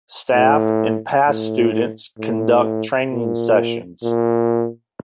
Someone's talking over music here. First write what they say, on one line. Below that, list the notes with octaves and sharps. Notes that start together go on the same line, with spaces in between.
Staff and past students conduct training sessions.
A2
A2
A2
A#2
A#2